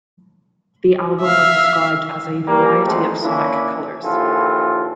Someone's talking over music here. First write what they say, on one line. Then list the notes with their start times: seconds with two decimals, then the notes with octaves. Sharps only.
The album was described as a "variety of sonic colors".
1.21 E5 F5
2.47 G3 A#3
2.85 A#1 C3 F3 G#3 A3
3.23 A#3 C#4 D4 E4
4.03 A#1 D#2 E3 F4 A4